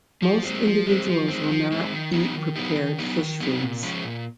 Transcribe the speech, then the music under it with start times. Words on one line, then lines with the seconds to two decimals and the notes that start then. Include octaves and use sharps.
Most individuals will not eat prepared fish foods.
0.22 F3
0.43 G#3 C4
0.65 F3
0.86 G#3 C4
1.07 F3
1.29 G#3 C4
1.49 F3
1.72 G#3 C4
1.93 D#3
2.13 F#3 B3 D#4 G4
2.34 D#3
2.56 F#3 B3 D#4 G4
2.77 D#3
2.98 F#3 B3 D#4 G4
3.20 D#3
3.40 F#3 B3 D#4 G4
3.61 A#2
3.83 F3 G#3 C#4
4.03 A#2